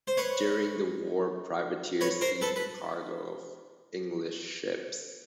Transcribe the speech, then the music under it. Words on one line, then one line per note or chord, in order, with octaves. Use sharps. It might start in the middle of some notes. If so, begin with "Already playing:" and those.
During the war, privateers seized the cargo of English ships.
C5
B4 C#5
B4 C#5
A#4 C5
A4 B4
B4